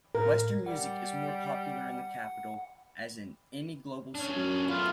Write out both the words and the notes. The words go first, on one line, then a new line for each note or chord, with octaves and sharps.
Western music is more popular in the capital, as in any global city.
A2 A#4
G3 F#5
C#4 D4
F#2
A3 B3 F4